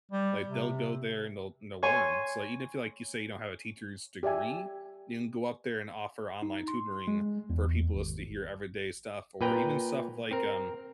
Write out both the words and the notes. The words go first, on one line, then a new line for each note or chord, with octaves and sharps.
Like, they'll go there and they'll and they'll learn. So, like, even if you, like, you say you don't have a teacher's degree, you can go up there and offer online tutoring for people as to hear everyday stuff or even stuff like, um
G3
C3
C#5 G#5 C6
G4 D5 E5 G#5
D#4
C6
G#3
E2
G#1
A#2 B4 G5 A#5
C4 A#4